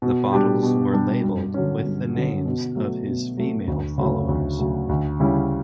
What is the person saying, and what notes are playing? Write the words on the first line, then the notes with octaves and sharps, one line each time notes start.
The bottles were labeled with the names of his female followers.
B2
G3 D4 G4
B2
G3 D4 G4
G2
D3 F#3 C#4
G2
D3 F#3 C#4
B2
F#3 A3
B2
F#3 A3
D2
C#3 F#3 A3
D2
C#3 F#3 A3
D2
C#3 G3 C#4 E4